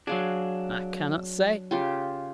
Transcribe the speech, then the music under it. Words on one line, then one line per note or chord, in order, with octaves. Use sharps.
'I cannot say.
F#3 D4 G#4 F5
C#3 F4 G4